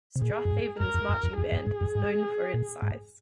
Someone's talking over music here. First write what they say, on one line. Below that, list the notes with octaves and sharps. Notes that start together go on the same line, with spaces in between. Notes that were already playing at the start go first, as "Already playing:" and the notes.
Strath Haven's marching band is known for its size.
C3
A#2 G#4
F#2
G#2
F#2 A#4
F2
F#2
F2
F2 G#4
F#2
G#2
F#2
G#2
A#2
G#2